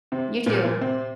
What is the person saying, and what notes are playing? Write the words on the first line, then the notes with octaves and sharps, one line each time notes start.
You too.
C3 C4
A#2 A#3
A#2 A#3
C3 C4